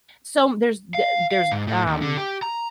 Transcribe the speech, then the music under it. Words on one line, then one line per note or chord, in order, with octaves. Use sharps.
som there's the there's, um,
F5
F5
G#2
A2
D#2
D3
G4
A#5